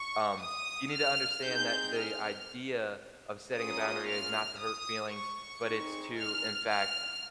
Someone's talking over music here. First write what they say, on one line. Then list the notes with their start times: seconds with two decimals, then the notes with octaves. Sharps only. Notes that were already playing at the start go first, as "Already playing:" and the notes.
um, you need to understand that the idea of setting a boundary is not to hurt feelings, but, it's to, in fact
Already playing: C#6
0.41 D#6
0.93 F6
1.45 C4 D#4 G#4 G6
1.98 F6
3.54 A#3 C#4 F4 G#4 D#6
4.07 F6
4.60 D#6
5.11 C#6
5.64 C4 D#4 G#4
6.17 F6
6.69 F6